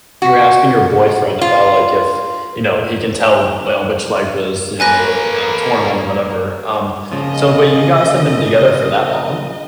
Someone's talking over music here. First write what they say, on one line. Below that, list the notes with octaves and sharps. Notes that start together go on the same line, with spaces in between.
you're asking your boyfriend about, like, if, you know, he can tell, well, which leg was, you know, the, uh, torn one or whatever, um, so but you guys have been together for that long?
F#4
F4
A#3 A4 B4 G#5 F#6 A#6
A#1 C#3 F3 D#5